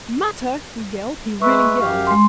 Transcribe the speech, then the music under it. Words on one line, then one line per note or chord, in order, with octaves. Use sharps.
"Matter!" he yelled; he really yelled.
G#3 B4 E5 C#6
F#2 G4 F5
G#3 C6